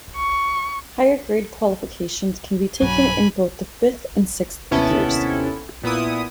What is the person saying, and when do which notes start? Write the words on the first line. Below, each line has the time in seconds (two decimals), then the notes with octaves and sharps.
Higher Grade qualifications can be taken in both the fifth and sixth years.
0.15 C#6
2.81 B1 G2 F#3 G#5 B5
4.71 D#2 C3 B3 C#4 E4 A4
5.84 A#2 B3 E4 D#6